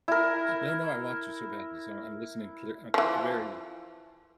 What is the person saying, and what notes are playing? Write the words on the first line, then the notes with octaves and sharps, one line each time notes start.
No, no, I want to so badly, so I'm listening clear uh, eh very
E4 A#4
E3 F3